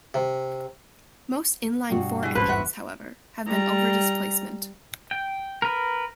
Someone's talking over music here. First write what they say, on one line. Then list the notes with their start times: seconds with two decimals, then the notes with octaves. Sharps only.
Most inline-four engines, however, have been over displacement.
0.14 C3
1.90 G2 B2 F#4
2.23 E3 G#4
2.35 G#1 E2 G2 B2 C#4 B4 C5
2.49 F#4 E5 F#5
3.48 G3 A#5
5.11 G5
5.62 A#4 B4